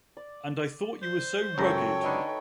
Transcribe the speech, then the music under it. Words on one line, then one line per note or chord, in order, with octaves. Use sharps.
And I thought you were so rugged!
D5
C5
C#2 F#2 F#3 A3 A4 C#5 G5 A#5
D3 D#4 B4 D#5